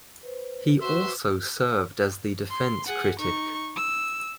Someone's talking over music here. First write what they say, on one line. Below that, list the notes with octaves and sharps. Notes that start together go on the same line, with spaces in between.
He also served as the defence critic.
B4 C5
F#4 B4 C5 E5 C6
C6
G#4 F#5
D#4 C#6
E6